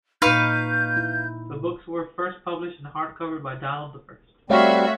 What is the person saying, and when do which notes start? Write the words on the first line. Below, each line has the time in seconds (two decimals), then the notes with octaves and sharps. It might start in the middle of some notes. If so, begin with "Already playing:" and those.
The books were first published in hardcover by Donald the First.
0.22 A#2 D#4 B4 F5 C#6 G6
0.97 E4
4.50 G3 A3 C4 F#4 C#5 E5 F5